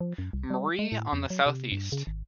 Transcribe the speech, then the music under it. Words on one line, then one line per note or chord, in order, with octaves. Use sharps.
Marie on the southeast.
F3
F#2
C2
G3
G#3
A2
F2
F#3
C3
G2
C#3
G#1